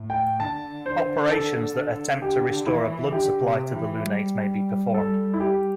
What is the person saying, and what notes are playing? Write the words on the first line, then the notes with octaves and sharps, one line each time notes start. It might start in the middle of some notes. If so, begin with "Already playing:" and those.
Operations that attempt to restore a blood supply to the lunate may be performed.
Already playing: A2
G5
D3 A5
C5
A4
D3 G4
E3 E4
D3 G4
C3
E3
G3
A4
E4
G4